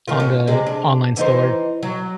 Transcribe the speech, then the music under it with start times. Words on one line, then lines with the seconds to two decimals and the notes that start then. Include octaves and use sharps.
on the online store.
0.08 A2 D#3 F4
0.20 C#4
0.47 C3 G#3
0.67 D4
1.17 E3 D#4 C5
1.83 F#3